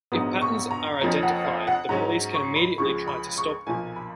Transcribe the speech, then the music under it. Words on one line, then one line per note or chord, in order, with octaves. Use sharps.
If patterns are identified the police can immediately try to stop them.
A#1 G#2 F#3 B3 D#6
C#6
A#5
F2 F3 A#3 C#4 A#5
F#5
F5
F#5
G#2 F#3 C#4 A#5
C#6
B5
C#2 C#3 F3 C#6
B5
C#6
B1 A#2 F3 A#3 G#5
B5